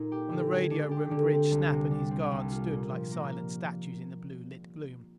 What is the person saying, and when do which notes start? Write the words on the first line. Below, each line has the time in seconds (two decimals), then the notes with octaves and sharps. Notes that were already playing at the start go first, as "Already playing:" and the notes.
On the radio room bridge Snap and his guard stood like silent statues in the blue lit gloom.
Already playing: A#2 D#4
0.12 G4
0.31 D3
0.52 G#3
0.71 D4
0.91 G4
1.11 D3
1.32 C4
1.51 C2
1.72 C3
1.91 G3
2.11 C4
2.31 C2
2.51 F4
2.71 A#2
2.92 F3
3.12 A#3